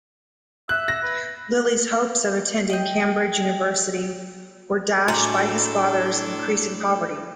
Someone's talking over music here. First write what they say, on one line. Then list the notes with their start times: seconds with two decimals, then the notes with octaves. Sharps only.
Lilly's hopes of attending Cambridge university were dashed by his father's increasing poverty.
0.69 E5 F#6
0.88 A#6
1.03 B4
2.70 D#5 G5
5.08 A2 D4 F#4 A4 G#5 A#5 C6 D6